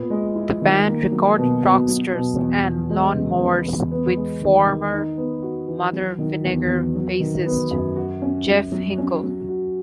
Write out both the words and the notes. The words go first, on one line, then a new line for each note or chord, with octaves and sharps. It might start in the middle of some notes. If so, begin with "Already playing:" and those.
The band recorded Rockstars and Lawnmowers with former Mother Vinegar bassist Jeff Hinkle.
Already playing: A#2 B3
G#3
E4
D#3
A#3
F#3
B2
B2
F#3
B2
E2
E2
G#3
C#3
B3
E2
B3
G#3
D#3
D#3
D#4
B3
F#4
E3
F#3
D#3
E2
E2
F#3
D#3
B3
F#2
F#4
C#4
F#3
F#3
C#4
F#3
F#4